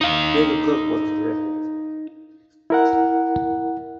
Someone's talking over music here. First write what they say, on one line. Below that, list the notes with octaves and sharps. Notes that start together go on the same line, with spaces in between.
Fielder Cook was the director.
D#4 F5
E4 A#4 F#5